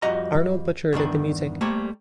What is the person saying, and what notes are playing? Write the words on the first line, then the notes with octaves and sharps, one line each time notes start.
Arnold Butcher did the music.
F2 G3 F#4 D#5 A#5
E2 G2 D#3 D4
G3 A3 A#3 C5 C#5